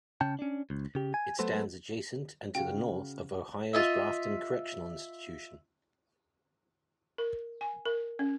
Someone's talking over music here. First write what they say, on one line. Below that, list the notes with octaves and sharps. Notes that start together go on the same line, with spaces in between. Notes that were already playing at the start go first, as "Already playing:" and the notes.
It stands adjacent and to the north of Ohio's Grafton Correctional Institution.
C#3 C#4 G5 A5
C#4 D4
C#2
C#3 G4
G#5
F#3 A3 B3 A4 C5
C#3 F#4 F5 G5
F4 D#5 E5
A#4
G#5
A#4
C#4